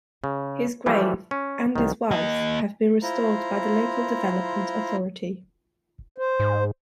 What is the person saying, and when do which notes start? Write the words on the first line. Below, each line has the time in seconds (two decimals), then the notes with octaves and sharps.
His grave, and his wife's, have been restored by the local Development Authority.
0.24 C#3
0.86 E3 F3 G3 A3 D4
1.31 C#4
1.76 C2 D#3
2.11 A#3 D#5
3.03 E4 F4 C5 A#5
6.18 C5
6.40 G#2